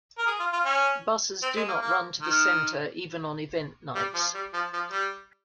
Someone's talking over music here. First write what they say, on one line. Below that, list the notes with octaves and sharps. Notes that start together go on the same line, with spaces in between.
Buses do not run to the centre even on event nights.
A#4
G#4
F4
F4
C#4
C4
G#3
A#3
A#3
D#3
G3
F3
G3
F3
F3
G3